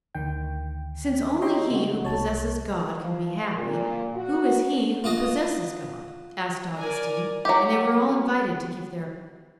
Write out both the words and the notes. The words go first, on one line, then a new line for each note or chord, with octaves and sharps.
"Since only he who possesses God can be happy, who is he who possesses God?" asked Augustine, and they were all invited to give their opinion.
D2 D#3 G5
C#5 D#5 E5 G5 A#5 C6
C#3 D#4 F#4
C2 C#5 A5
F3
A#2
F#4
F4 F#4 D#5
A#4 D5 G#5
F#3 G4